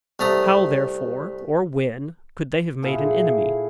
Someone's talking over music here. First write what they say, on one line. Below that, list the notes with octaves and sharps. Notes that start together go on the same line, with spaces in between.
How, therefore, or when could they have made an enemy?
C2 A3 A#5 D#6
A#2 E4 G#4 A4